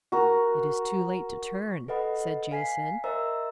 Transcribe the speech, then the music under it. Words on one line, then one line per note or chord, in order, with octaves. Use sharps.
"It is too late to turn," said Jason.
F#4 A#4
A4 B4 D#5 F#5 B5
F5 G#5 B6 C7
A#4 C5 D#5 E5 A#5 E6